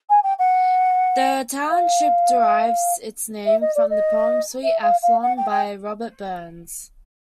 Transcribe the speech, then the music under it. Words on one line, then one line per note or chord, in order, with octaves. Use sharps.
The township derives its name from the poem "Sweet Afton" by Robert Burns.
G#5
G5
F#5
F5
E5
D#5
D5
D#5
E5
F5
F5
F#5
G5
G5